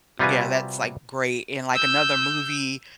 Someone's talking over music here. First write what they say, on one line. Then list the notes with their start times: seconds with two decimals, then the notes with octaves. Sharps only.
yeah, that's, like, great. And, like, another movie
0.19 C3 G3 F4 F#4 B4 G#5
1.75 E6 G6